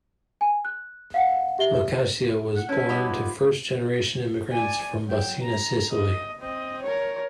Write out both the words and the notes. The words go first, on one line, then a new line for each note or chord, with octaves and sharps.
Locascio was born to first generation immigrants from Baucina, Sicily.
G#5
F#6
F5 F#5
G4 E5 G7
F#5
C#4 E4 B4 C#5 A5
G3 B3 D#4 F#5 B5 D6
F4 B5 G#6
D5 G#5
F#3 G5
A#5
D#5
C4 D#5
A#4 C#5